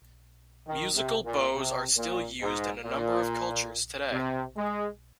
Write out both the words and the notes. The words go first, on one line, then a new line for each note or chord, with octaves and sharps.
Musical bows are still used in a number of cultures today.
D#3
C3
A#2
C3
A#2
G#2
A#2
C3
G#3